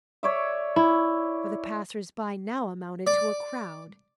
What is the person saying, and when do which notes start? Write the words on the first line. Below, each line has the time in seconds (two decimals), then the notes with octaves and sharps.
For the passers-by now amounted to a crowd.
0.23 C#5 D5 E5
0.76 E4
3.07 D5